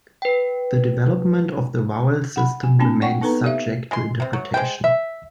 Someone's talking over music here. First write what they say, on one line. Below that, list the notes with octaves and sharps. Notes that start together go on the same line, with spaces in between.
The development of the vowel system remains subject to interpretation.
B4 G5
F#5 B5
G#5
A#3 C4 D4 G#5 A5
D5 F#5 G5 C#6
B3 D#4 A4 B4 A#5
G4 D5 E5 F5
G#3 C6
C3 C4
F#3
G#3 C5 G5
E5